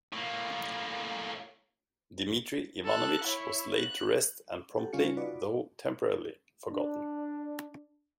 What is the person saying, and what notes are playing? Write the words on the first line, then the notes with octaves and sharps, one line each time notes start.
Dmitry Ivanovich was laid to rest and promptly, though temporarily, forgotten.
A2 A#3
A4 F#6
E4 C#5
F#6
G4 A4 F#5
C#3 G3 C#4 F4 G#5 C#7
D#4 F4 F#4 B4 D5
D4